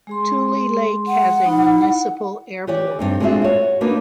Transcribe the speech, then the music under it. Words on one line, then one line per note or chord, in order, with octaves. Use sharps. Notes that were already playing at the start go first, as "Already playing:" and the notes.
Tulelake has a municipal airport.
G#3 G#4 C6
F#5
D#4 B5
E4
E3 G4 C#5 D5
G2 C4 D#4
G#3 C4 D4 F4 F#4 E5
F#4 C#5
A#3 B3 D4 D#4 A#4